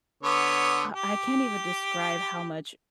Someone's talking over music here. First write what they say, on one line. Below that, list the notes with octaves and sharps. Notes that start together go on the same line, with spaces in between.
I I can't even describe how much
D3 B3 C#5
G4